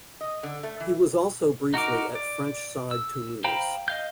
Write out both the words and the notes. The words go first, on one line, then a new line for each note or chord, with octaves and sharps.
He was also briefly at French side Toulouse.
D#5
D3
A3
E3
D#4 F#4 A#4 D6
D5
E6
C5 F5 G5 A#5 B5
D#5 F5 G6